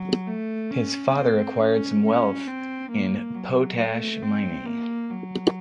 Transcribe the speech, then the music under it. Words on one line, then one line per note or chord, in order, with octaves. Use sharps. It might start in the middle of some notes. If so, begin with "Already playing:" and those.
His father acquired some wealth in potash mining.
Already playing: F#3
A3
C#4
C4
C#4
C#4
C4
A#3
F#3
A3
C4
A#3
F#3